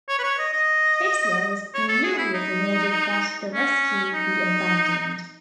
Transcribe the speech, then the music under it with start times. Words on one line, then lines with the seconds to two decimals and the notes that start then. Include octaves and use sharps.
Hitler was furious and ordered that the rescue be abandoned.
0.08 C#5
0.19 B4
0.23 C#5
0.39 D#5
0.53 D#5
1.74 C#5
1.88 A4
2.03 G#4
2.18 E4
2.34 D#4
3.54 C#4
4.14 D#4